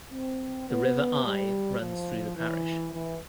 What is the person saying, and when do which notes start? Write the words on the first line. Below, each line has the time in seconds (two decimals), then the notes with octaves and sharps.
The River Eye runs through the parish.
0.12 C4
0.68 B3
1.24 G3
1.80 F3
2.36 E3
2.92 E3